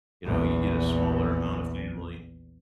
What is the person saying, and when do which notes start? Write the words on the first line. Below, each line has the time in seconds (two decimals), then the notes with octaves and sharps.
you know, you get a smaller amount of family.
0.24 A#1 E2